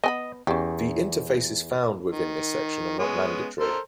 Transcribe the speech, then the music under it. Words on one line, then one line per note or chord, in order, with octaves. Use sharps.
The interfaces found within this section are not mandatory.
B3 D#5 G#5 B5
E2 C#4 G4
D#3
G#3 B3 C#4
A4 A#4 C5